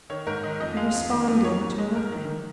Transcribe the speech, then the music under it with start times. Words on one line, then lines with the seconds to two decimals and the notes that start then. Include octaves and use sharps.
He responded to nothing.
0.10 D#3 C#5
0.27 G#2 A#4
0.43 D#3 D#5
0.60 F2 D#5
0.77 G#3 F5
0.94 F2
1.11 D#3
1.28 F2
1.44 D#3 C#5
1.61 G#2
1.78 G#3 D#5
1.95 G#2 A#4
2.12 D#3